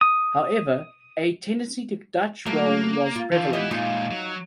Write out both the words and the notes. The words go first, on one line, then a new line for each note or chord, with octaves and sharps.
However, a tendency to "dutch roll" was prevalent.
D#6
F#3 A3 A#3
F4
E3 F3
E3 B3 E4 G4 D#5
A#2 G#3 D#4 F4
F#3